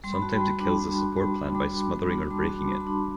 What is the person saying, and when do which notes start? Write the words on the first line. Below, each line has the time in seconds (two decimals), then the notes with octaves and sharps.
Sometimes it kills the support plant by smothering or breaking it.
0.04 G3 C6
0.13 B5
0.22 F#4 A5
0.31 G5 B5
0.41 G3
0.60 D4
0.80 G3
0.98 F#4
1.17 G3
1.35 D4
1.55 G3 B5 D6
1.74 F#4
1.92 G3
2.12 D4
2.25 D6
2.30 G3 A5 C6
2.49 F#4
2.55 B5 D6
2.68 G3 B5
2.80 A5 C6
2.87 D4